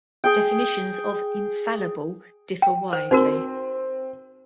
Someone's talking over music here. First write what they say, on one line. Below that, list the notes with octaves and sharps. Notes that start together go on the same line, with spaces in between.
Definitions of 'infallible' differ widely.
G#4 G5
G5
C5
C4 D#4 F#4 A#4